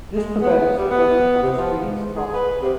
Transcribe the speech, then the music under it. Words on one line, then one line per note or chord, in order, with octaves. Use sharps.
This prevents burning of the screen's phosphors.
G#3
B3
G3
B3
C3
F3
G#2
G#4
B4
C3